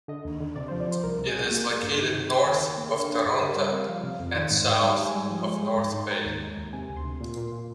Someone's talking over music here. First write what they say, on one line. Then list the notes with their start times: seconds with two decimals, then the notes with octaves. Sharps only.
It is located north of Toronto and south of North Bay.
0.08 D3 D#5
0.25 D#2
0.40 D3
0.56 C3 D5
0.68 F3 C5
0.80 D5
0.88 F3 C5
1.03 C2 A#4
1.19 C2
1.27 G#4
1.35 C2
1.51 A#3
1.67 A#3
1.83 G2
1.98 D#3
2.14 C3
2.30 C3
2.45 D#2 A#4
2.61 D#2
2.77 A#3
2.89 G#4
2.93 D3 A#4
3.09 D3
3.18 G#4
3.25 G2
3.41 G3 A#4
3.57 G3
3.64 A#4
3.72 C4
3.88 F3 F5
4.04 C3
4.20 F2
4.35 D#3
4.51 G#2
4.67 G#2
4.82 G3 G5
4.98 G#2
5.06 G#5
5.15 G3
5.30 F3
5.46 G#3
5.63 G#3
5.77 G#2 A#5
5.93 G#2 C6
6.01 A#5
6.09 G#2
6.25 D#2 A#5
6.41 G#3
6.57 D#2
6.73 C3 G#5
6.89 D2
6.97 C6
7.04 C3
7.20 A#2
7.37 A#2
7.52 A#2